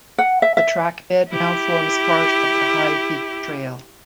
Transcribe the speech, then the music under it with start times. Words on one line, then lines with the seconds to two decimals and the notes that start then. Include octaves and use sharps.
The trackbed now forms part of the High Peak Trail.
0.18 F#5
0.42 E5
0.57 E5
1.29 E4 G4